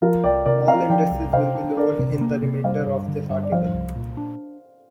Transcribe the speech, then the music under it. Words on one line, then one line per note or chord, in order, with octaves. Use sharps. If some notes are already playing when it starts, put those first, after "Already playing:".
All indices will be lowered in the remainder of this article.
F3 F4 A#4
C2 D5 G5
C3 A#4 D5
C4 F5 A#5
F3 D5 G5
C2
C3 C5 F5
D4
D4 A#4 D5
C3
A#3
C3
G3 C5 F5
G2
D3
G2
D5
F3 C5 F5
C2
A#2
D4